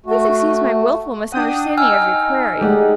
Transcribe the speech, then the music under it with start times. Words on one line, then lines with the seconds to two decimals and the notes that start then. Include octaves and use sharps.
Please excuse my wilful misunderstanding of your query.
0.06 A3 F#4
1.32 D4 F#5 G5 D#6 G6
1.78 D#4 G#5 E6 F6
2.61 G#3 A3 G4 G#4 D5 F#5